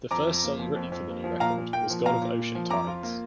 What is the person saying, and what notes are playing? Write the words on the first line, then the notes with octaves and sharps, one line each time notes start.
The first song written for the new record was God of Ocean Tides.
F2 A#5 D6
F2
A#3
F3
F2
F2
A#3
F3
A#2 F5 A#5
A#2
A#3 G5
F3
A#2 F5 A#5
A#2
A#3
F3
F2 A#5 D6
F4
A#3